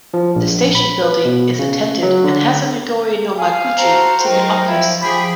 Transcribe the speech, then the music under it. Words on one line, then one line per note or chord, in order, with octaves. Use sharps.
The station building is attended and has a Midori no Madoguchi ticket office.
F3
A#1
B5
B4
B2
C#3
F#3
D3
F5 G#5
F#4 A4 C5 A#5
D#3 F#3 D#4 A#4 G5
F3 E4
F3 G4 G#4 G5 B5